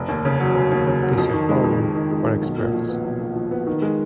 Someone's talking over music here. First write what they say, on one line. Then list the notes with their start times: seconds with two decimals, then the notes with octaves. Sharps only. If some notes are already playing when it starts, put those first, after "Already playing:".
This a forum for experts.
Already playing: F1
0.08 D#2
0.25 C#3
0.40 F#3
0.55 F1
0.72 D#2
0.87 C#3
1.02 F#3
1.18 F2
1.33 D#3
1.49 G#3
1.64 F2
1.80 F2
1.95 D#3
2.11 G#3
2.27 F2
2.42 B1
2.58 A#2
2.73 F3
2.89 B3
3.04 B1
3.21 A#2
3.35 F3
3.51 B3
3.67 D#3
3.82 G#3